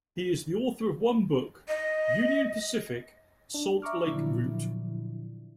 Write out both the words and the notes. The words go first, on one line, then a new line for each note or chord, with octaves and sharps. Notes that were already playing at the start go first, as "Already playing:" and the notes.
He is the author of one book, "Union Pacific: Salt Lake Route".
D#5
D4
E5 A#5 C#6 D6 F6
A#2 D3 F3 F#3 D4 E4